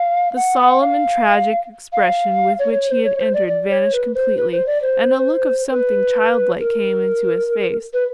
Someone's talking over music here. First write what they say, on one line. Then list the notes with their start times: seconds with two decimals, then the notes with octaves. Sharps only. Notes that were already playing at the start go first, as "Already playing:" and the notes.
The solemn and tragic expression with which he had entered vanished completely, and a look of something childlike came into his face.
Already playing: F5
0.36 F#5
0.59 F#5
0.81 F5
1.93 F5
2.59 C#5
2.74 C#5
2.89 C5
3.04 C#5
3.19 C5
3.34 D5
3.48 D5
3.70 C#5
3.92 B4
4.15 C5
4.37 B4
4.52 C5
4.67 D5
4.82 C5
5.71 B4
6.59 A#4
7.93 B4